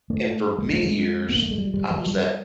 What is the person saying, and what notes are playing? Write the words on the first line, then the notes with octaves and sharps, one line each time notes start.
and for many years, d I was that
A3
G#3
A3
G#3
B3
A#3
A3
G#3
G3
G3
F3
G3